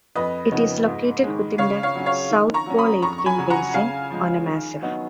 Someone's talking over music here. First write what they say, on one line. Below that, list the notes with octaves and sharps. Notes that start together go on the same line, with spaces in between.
It is located within the South Pole-Aitken basin on a massif.
F2 B4 D#5
C#3 F3 B3 D#4
G#2
D#3 G#3
C#3 C#5 F5
C#5 F5
F#3 C#4
C#5 F5
D#3
A#5 C#6
F#3 C#4
B5 D#6
F2 A#5 C#6
C#6
G#5 B5
C#3 F#3
F#5 A#5
C#3 F5 G#5
F3 G#3
D#3
F#3 B3 D#4